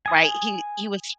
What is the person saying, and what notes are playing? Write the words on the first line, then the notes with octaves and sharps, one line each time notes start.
right? He he was
G#5 D#6